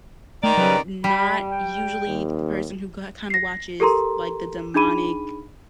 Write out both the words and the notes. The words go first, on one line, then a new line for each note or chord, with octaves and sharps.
n not usually the person who ki kinda watches, like, the demonic,
D#3 A3 D5 A#5
C#3 F#3 G3 B4
G3 B5
G5
D#2
A#6 C7
G4 A4 A#4 A#5 C6
D4 D#4 G#4 B5 D#7